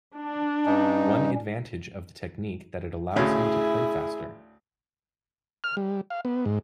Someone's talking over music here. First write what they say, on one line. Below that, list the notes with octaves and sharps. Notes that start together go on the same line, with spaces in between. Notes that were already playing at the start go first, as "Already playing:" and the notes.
One advantage of the technique that it allows him to play faster.
D4
G2 G3 C#4 D#4
D2 A2 C#3 E4 G#4
F6
G3
F5
B3
G#2